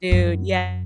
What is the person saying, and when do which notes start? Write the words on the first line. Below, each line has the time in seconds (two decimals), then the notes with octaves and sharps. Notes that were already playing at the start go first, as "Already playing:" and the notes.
Dude, yeah.
0.12 F#2